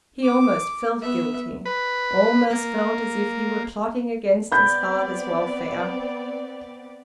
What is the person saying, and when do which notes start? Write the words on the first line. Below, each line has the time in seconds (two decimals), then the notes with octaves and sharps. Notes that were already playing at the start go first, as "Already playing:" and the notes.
He almost felt guilty, almost felt as if he were plotting against his father's welfare.
0.22 D6
1.01 B3 E5
1.65 B4
2.50 A#3
4.52 B3 C4 D5 B5 G6